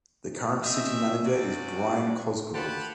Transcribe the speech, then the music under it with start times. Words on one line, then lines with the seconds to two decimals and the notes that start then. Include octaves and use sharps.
The current city manager is Bryan Cosgrove.
0.63 C4 C#4 D#5 E5
1.24 C3 C#4 F#4 D5
2.54 F4 G4 F#5 G5 A5 B5